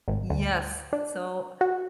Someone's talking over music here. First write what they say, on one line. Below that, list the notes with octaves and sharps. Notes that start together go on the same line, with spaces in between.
Yes. So,
G#1
D2
D4
F#4